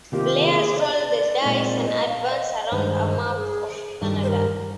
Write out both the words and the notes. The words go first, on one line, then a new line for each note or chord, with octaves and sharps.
Players roll the dice and advance around a map of Canada.
C3 D#3 A#3 F4 G4
G#4
D#5
D5
A#2 G#3 C4 D#4 D5
D#5
D5
D#5
F5
D5
D#5
G2 D#3 G#3 C5
G#4
G2 D#3 G3
C5
A#4